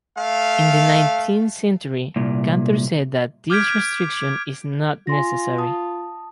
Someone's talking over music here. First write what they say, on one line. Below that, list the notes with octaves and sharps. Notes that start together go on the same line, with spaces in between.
In the nineteenth century Cantor said that this restriction is not necessary.
A3 F5
C2 A#2
D6 F6 G6 G#6 B6 D7
F4 G#5 C6 A#6
A5 D#6